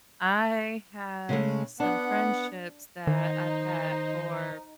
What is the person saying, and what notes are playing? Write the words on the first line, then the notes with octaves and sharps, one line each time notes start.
I have some friendships that I've had for,
C#3 G#3 A3
B3 D4 F#5
D#3 D#4 C5